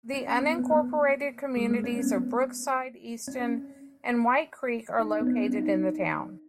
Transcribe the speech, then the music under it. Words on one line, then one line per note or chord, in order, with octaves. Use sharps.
The unincorporated communities of Brookside, Easton, and White Creek are located in the town.
C#4
B3
B3
A#3
G#3
A#3
C#4
B3
C#4
D#4
B3
C#4
D#4